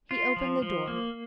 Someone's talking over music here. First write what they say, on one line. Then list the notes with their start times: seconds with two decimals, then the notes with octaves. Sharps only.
He opened the door.
0.11 F4
0.36 F3
0.62 F3
0.88 A#3